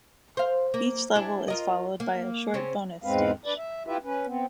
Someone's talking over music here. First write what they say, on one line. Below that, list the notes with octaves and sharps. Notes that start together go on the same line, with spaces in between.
Each level is followed by a short bonus stage.
C5 F5
A#3
D4 E4 G#4
F4 A#4 D#5
A#3
C#3 C4 C#4
E2 G#2 G#3 C4 B4 F5
D4 B4 D5
E5
E4 F4 G4 B4 E5
C#4 B4
B3 C4